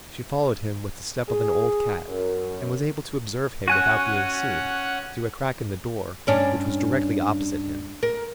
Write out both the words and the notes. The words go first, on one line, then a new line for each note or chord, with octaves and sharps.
She followed him with the step of an old cat, and was able to observe him without being seen, through a crack in the door, which was directly opposite him.
G#4
F#2
C#4 F#4 F#5 G#5 F#6
G2 C#4 D4
A#4